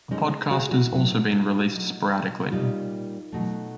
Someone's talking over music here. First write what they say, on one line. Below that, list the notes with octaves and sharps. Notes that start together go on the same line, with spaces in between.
A podcast has also been released sporadically.
B2 G#3 C#4 D#4
F#4 G#4
E4 F#4
A2 F#3 A3
B2 F#3 A3
A#2 G3 D#4 F4
B2 F#3 A3